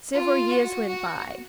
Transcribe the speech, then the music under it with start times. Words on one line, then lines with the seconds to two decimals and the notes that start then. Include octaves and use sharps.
Several years went by.
0.13 F4
0.51 F#4
0.88 F#4